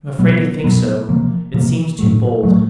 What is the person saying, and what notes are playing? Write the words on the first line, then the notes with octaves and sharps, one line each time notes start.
I am afraid to think so; it seems too bold.
B2 F#3 B3
B2 F#3 B3
C3 F3 A#3
C3 F3 A#3
A2 F#3 A3
A2 F#3 A3